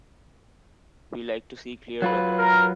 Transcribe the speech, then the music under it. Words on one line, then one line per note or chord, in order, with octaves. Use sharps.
We like to see clear weather.
F#3 F4 B4
A#4